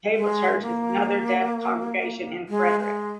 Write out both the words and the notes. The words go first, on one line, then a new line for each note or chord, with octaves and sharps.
The Table Church is another deaf congregation in Frederick.
G#3
A#3
G#3
G#3